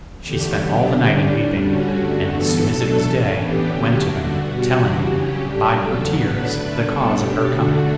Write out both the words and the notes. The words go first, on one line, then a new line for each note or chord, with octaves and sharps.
She spent all the night in weeping; and, as soon as it was day, went to them, telling them, by her tears, the cause of her coming.
E2 D3 A3 G4
D3 F#3 B3 D4 G4
D3 G3 C#4
A2 G3 D4
D3 G3 C#4 F#4
G2 D3 A3
G2 E3 B3 A4
B2 F#3 A3 D4
A2 E3 A3 C#4
A2 E3 B3 D4 G4
D3 F#3 A3 C#4
G2 D3 A3 D4 F#4
B2 G3 B3
C#3 E3 G3 D4 F#4
C#3 F#3 C#4 G4
A2 G3 D4
E2 C#3 F#3 A3 A4
A2 F#3 B3 D4 B4
D3 A3 D4
A2 G3 B3 D4 A4
B2 A3 D4 G4
D3 A3 D4 F#4